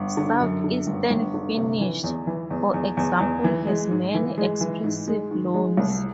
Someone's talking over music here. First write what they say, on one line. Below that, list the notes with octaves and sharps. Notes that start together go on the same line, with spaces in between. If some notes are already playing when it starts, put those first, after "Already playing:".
South-eastern Finnish, for example, has many expressive loans.
Already playing: G1
D3
F#2
D3
G1
G1
D3
C3
E3
E2
E3
E2
E2
E2
E2
E3
G#3
G#2
E3
G#3
E3
G#2
G#3
D#3
G#3
C2